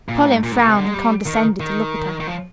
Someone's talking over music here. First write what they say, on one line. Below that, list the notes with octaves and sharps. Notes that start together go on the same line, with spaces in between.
Colin frowned and condescended to look at her.
A#2
G#2
A#2
G#2
A#2
C3
D3
G#3
G3
D#3
D#3
D#3
F3